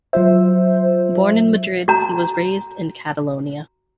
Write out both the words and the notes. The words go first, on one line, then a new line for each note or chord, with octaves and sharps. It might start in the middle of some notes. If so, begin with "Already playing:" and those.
Born in Madrid, he was raised in Catalonia.
F#3 F4 C5 E5
F#4 A#5